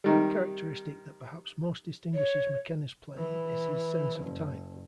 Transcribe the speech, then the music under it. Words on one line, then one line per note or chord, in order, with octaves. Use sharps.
The characteristic that perhaps most distinguishes McKenna's playing is his sense of time.
C3 D#3 G3
C#5
E3
F#1